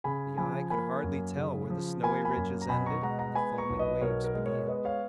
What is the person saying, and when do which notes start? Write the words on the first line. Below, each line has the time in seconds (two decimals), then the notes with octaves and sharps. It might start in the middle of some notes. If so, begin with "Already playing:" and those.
The eye could hardly tell where the snowy ridges ended and the foaming waves began.
0.04 C#3 G#5 B5
0.38 F3 G#5 B5
0.70 A#3 G#5 B5
1.03 F#2
1.37 C#3
1.70 F3
2.03 A#3 G#5 B5
2.25 G#5 B5
2.36 F#2
2.62 A#5
2.69 B2 G#5 B5
2.86 A#5 C#6
3.02 G#3 F#5 A#5
3.19 F#5 A#5
3.35 B3 G#5 B5
3.58 A#5 C#6
3.70 B1
3.79 B4 D#5
4.01 B2 A#4 C#5
4.24 A#4
4.35 G#3
4.46 A#4 C#5
4.59 C#5
4.68 B3 B4 D#5
4.85 C#5 F5